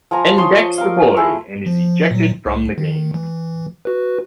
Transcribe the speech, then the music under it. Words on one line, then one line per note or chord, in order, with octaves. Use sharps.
Ben decks the boy and is ejected from the game.
F3 G#5 A#5
C#5 A5 C6 D#6
A#4 F5
A3 E4 G#4
F3
A#2 F#3
C2
D#3
E3
F#4 B4